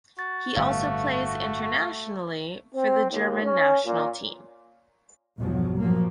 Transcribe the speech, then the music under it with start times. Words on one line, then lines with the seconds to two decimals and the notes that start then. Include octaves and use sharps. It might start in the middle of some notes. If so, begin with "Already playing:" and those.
He also plays internationally for the German national team.
0.19 F#4 A6
0.57 G1 A2 A3 F5
2.74 C4
3.11 D#2
3.43 C#4
3.85 A#2
5.37 B1 E2 G2 F3 F#3
5.79 G2 A#2 F3 F#3 A#3